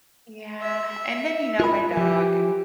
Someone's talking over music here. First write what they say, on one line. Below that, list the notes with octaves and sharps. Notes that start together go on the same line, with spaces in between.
yeah, and then, you know, my dog,
E5
F4 A#4 B5
F3 G4